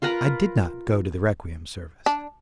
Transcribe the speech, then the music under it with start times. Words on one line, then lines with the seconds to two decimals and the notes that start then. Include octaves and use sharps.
I did not go to the requiem service.
0.02 F4 A#4 B4 A#5
2.06 D4